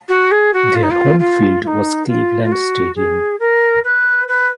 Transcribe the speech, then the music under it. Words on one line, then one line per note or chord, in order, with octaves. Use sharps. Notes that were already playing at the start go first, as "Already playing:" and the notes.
Their home field was Cleveland Stadium.
F#4
G#4
F#4
F4
D#4
F4
F4
F4
D#4
F4
F4
F#4
G#4
A#4
B4
B4